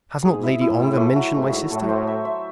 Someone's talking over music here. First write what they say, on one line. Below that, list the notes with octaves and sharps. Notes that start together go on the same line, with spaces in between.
Has not Lady Ongar mentioned my sister?
G#2 G#4
E4
A2 E4
E4
A3
F#3
G#2 A3
F#3
A2 A4
C5
E5
E5